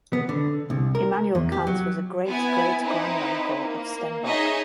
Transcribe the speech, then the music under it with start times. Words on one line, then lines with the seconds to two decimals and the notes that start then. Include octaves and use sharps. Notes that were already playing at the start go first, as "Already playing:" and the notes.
Immanuel Kant was a great-great-granduncle of Stenbock.
0.13 B3
0.29 D3
0.70 C2
0.95 A#4
1.35 E2
1.52 G4
1.67 F#3
2.28 B3 E4 G#5
2.82 C4 D#4 E4 B4
3.63 A#3
4.24 D#4 G#4 C#5 D#5 E5